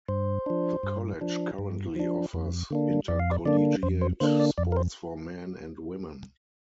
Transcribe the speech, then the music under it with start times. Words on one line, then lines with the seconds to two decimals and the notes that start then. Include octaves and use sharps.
The college currently offers intercollegiate sports for men and women.
0.08 G2 C5
0.46 F3 D4
0.83 G2
1.21 F3 D4
1.58 G2
1.96 F3 D4
2.33 F2
2.70 D3 A#3 D4
3.08 F2 D5
3.19 F5
3.31 D5
3.45 D3 A#3 D4 D5
3.83 F2 C5
4.02 C5
4.20 D3 A#3 D4 C5
4.40 D5
4.58 F2 D5
4.72 A#4
4.77 C5